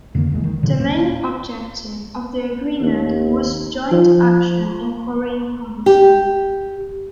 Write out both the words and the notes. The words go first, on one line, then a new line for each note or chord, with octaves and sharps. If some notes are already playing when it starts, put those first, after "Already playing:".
The main objective of the agreement was joint action in foreign policy.
F2 D3 D#3 A#3
B1 E2 G3 G#3
D#3
A#2 D3 F#3
D#1 A#1 A#3 C#4
D#2
F3
G4